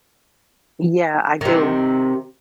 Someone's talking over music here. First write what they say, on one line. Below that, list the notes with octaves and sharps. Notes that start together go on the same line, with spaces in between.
Yeah, I do.
C3 D#3